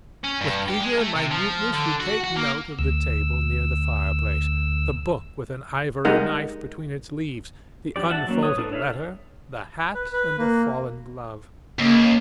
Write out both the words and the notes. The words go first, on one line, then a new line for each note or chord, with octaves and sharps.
With eager minuteness you take note of the table near the fireplace, the book with an ivory knife between its leaves, the unfolded letter, the hat and the fallen glove.
C#4
G2
G4
G#3
A3
C3
F3
D3
F#4
F#4
A#3
D2 E6
G3 G#3 D#4 A#4 D#5 F#5
F#3 D4 G4 D5
E5 F#5 A5
F#3 A#3 C#4
B4 C#5 D#6
D4 D#4 A4 B4
A4 C#5 D5 E5 F5
B4
B4
A#3
C#2 C#3 A#3